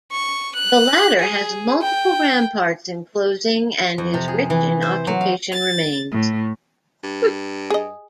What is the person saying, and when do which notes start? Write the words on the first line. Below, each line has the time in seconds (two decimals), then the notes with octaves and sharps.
The latter has multiple ramparts enclosing and is rich in occupation remains.
0.12 C#6
0.55 F#6
1.19 G#4
1.82 G5
3.98 F2
4.14 C3
4.28 G#4
4.50 E3
4.82 C5
5.07 F#3
5.21 F5
5.52 A6
6.11 A2
7.03 G2
7.70 G#4 D#5